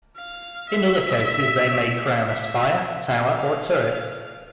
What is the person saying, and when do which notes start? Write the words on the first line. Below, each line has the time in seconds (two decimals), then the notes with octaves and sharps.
In other cases they may crown a spire, tower, or turret.
0.16 F5
0.69 E5
2.28 E5
3.34 F5